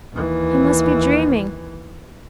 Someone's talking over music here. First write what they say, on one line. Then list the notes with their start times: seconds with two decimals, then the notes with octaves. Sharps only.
I must be dreaming!
0.13 D#2 E3